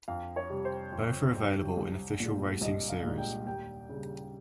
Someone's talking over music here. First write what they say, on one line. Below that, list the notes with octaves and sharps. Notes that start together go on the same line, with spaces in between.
Both are available in official racing series.
F2 F5
C#5
C3 G3
C5
F2
C3 G3
C2
A#2 G#3
C2 D#5
F5
A#2 G#3
G5
D#2 G5
C#3 G3